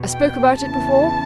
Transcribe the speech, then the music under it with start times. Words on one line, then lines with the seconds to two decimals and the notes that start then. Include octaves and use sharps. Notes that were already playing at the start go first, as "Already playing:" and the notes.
I spoke about it before.
Already playing: E2 B2
0.10 G5
0.56 E2 C#3 E3 A5